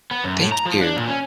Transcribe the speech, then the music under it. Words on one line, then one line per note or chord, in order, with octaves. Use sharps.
Thank you.
B3
F#2
A2
A#5
F3
D4
A#2
C#4